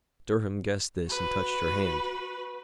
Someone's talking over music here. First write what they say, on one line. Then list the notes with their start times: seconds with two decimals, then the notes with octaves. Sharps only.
Durham guessed this and touched her hand.
1.07 F#4 B4